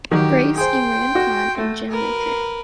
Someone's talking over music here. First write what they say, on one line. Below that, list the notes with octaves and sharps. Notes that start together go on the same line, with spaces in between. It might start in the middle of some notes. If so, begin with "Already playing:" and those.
Grace, Imran Khan and Jim Laker.
D#3 F#3 G4
G#4 C5 G5 C6
F#4
A3
A#4 B4